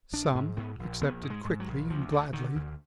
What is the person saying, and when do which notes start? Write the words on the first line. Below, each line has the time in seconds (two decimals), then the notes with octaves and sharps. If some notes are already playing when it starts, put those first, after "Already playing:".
Some accepted quickly and gladly.
0.12 A#1 D4
0.35 G#2
0.57 G#2 B3
0.79 A#1
1.01 A#1 B3
1.23 G#2
1.30 G#3
1.45 G#2
1.60 F#3
1.68 A#1
1.90 D2 F3
2.12 D3
2.33 D3 D#3
2.55 D2